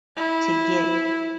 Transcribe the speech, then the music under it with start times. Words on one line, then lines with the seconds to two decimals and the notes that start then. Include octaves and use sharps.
to get,
0.16 E4